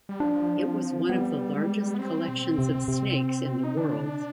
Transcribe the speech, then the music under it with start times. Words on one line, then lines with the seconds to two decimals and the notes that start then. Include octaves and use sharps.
It was one of the largest collections of snakes in the world.
0.09 G3
0.20 F3 D4
0.65 C4
1.10 G3 B3
1.54 G#3
1.94 B3
1.99 G3 C4
2.28 B2
2.58 C3
2.88 C3
3.64 D#4
3.77 D3 D4
3.99 C3